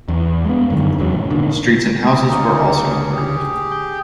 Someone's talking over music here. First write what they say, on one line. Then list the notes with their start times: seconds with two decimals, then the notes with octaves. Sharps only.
Streets and houses were also improved.
0.08 E2
0.45 G#3 B3
0.70 F#2 D3 D#3
0.98 E2 C#3 F#3
1.14 F1 A2
1.30 A#2 D3 D#3
2.04 E4 G#4
2.29 D2 C#3 A#3 D#4 G#4
3.15 G4 G#4
3.72 G5